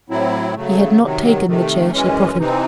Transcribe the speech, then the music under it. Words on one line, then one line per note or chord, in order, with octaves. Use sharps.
He had not taken the chair she preferred.
A2 F#3 C4 E4
C#3 F#3 A3
C3 D#3 F#3
C3 D#3 A3
F#2 E3 G#3 C#4
C3 E3 C4 D#4